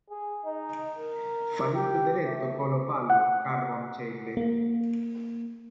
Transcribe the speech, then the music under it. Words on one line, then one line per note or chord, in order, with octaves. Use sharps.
Falite dereto colo palo, Carvoncelle!
G#4
D#4
A#4
G4
A3
F#5
A#3